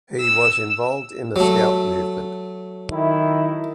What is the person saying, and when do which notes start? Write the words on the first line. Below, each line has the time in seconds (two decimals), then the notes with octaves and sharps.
He was involved in the Scout Movement.
0.20 E6
1.36 F#3 A3
2.91 D#3 E4